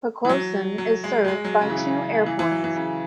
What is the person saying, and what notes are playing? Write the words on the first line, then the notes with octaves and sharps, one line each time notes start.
Poquoson is served by two airports.
E3
F#3
F#3
G#3
F#3
G#3
F#3
C#3
E3
C#3
E3
E3
F#3
E3
C#3